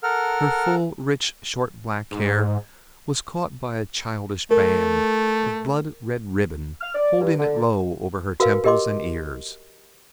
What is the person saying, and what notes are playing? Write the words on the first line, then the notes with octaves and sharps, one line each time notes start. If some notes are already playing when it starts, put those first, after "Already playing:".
Her full, rich, short black hair was caught by a childish band of blood-red ribbon, holding it low over her temples and ears.
A4 A#4 F#5 F6
G#2
A3 A#4
F6
D5
G2
D3
F#4 A#4 B4 F5
G4 A#4 D#5 C6 D6